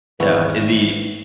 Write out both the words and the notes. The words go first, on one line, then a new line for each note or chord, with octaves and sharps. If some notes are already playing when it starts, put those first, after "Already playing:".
Yeah. Is he
G#1 G#2 E3 B3 E4 C#5